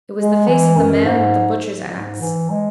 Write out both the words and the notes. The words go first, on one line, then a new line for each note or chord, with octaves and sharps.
It was the face of the man with the butcher's axe.
G#3
E3
F#2
G#2
G#2
E3
G#3